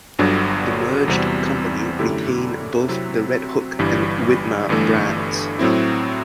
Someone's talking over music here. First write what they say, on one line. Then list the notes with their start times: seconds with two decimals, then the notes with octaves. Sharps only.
The merged company retained both the Redhook and Widmer brands.
0.19 G1 G2 D3 F#3
1.08 E2 C3 G3 C4 F#4
1.99 F#2 D3 A3 E4 G4
2.88 C3 F#3 C4 E4
3.79 G1 G2 E3 G3
4.69 G1 G2 E3 A3
5.59 A2 F#3 C4 E4